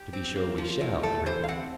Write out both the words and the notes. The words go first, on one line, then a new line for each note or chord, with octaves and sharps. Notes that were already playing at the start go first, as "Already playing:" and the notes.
To be sure we shall, he replied.
Already playing: G4
C4
A#3
F3
A2
A3 A4
E3 C5
F5
C4 F#5